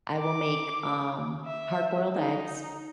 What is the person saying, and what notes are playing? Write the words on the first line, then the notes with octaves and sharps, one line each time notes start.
I will make, um, hard boiled eggs.
D6
E5
D#4